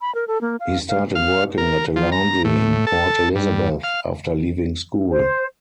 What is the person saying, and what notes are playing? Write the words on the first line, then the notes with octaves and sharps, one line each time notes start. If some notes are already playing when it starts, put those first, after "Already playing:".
He started working at a laundry in Port Elizabeth after leaving school.
B5
A#4
A4
A#3
F5
F5
F5
A#4
F3
A#5
A2
A4
G2
F5
C5